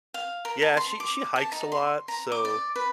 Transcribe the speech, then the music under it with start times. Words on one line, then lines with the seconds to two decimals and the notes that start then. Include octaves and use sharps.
Yeah, she she hikes a lot, so
0.14 F5
0.45 A#4
0.62 A5
0.77 C6
1.00 D6
1.36 A5
1.52 D#4
1.72 C6
2.08 A#5
2.32 D6
2.45 D5
2.76 B4